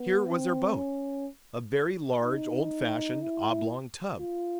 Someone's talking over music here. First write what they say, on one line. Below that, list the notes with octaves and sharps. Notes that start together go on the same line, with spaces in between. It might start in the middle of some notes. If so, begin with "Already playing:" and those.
Here was her boat! a very large, old-fashioned, oblong tub.
Already playing: B3
C4
C#4
D#4
E4
F4